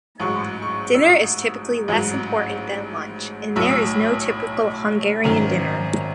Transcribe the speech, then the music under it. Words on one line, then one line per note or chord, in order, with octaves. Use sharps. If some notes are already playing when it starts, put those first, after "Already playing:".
Dinner is typically less important then lunch, and there is no typical Hungarian dinner.
A1 G#2 F#3 C#6
C#6
E6
D#6
A1 G#2 F#3
B1 A2 F#3 E6
D#6
E6
G#1 F#2 D#3